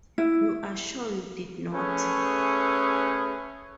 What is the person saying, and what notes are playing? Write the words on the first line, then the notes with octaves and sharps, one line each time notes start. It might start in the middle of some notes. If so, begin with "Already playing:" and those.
You are sure you did not?
E4
A3 C#4 G#4 B4